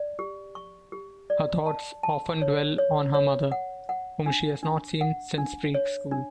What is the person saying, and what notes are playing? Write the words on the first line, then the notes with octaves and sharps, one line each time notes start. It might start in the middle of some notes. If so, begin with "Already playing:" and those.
Her thoughts often dwell on her mother, whom she has not seen since pre-school.
Already playing: D5
G4
C#6
G4
D5
A5
A5
C#5
C#5
C#5
F#5
F#5
D4
D4
F#5
D4
C#5
D4